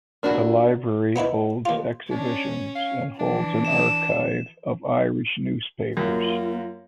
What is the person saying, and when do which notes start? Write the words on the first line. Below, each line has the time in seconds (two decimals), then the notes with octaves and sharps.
The library holds exhibitions and holds an archive of Irish newspapers.
0.23 A#3 D4 E4 F#4
1.16 B3 D#4 E4 B4
1.65 D#2 F4
2.11 C#4 D4
2.76 F5
3.20 E3 D4
3.65 E7
5.97 F#2 A#3 F4